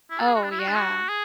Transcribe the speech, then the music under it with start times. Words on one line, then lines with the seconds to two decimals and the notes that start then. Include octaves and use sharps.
oh, yeah.
0.10 E4
0.19 A4
0.27 G#4
0.35 F#4
0.43 D4
0.51 E4
0.59 F#4
0.68 D4
0.75 F#4
1.09 G#4